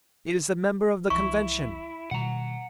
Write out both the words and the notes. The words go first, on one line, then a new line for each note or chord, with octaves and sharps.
It is the member of the Convention!
C2 E3 F3 E4 C#6
B2 D#3 G3 F#5 A#5